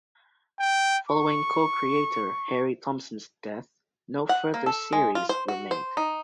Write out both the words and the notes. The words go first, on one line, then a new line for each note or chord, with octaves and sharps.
Following co-creator Harry Thompson's death, no further series were made.
G5
C#6
F#5
A#3
A4
G#3
F4
C5
F#4
C5
D#4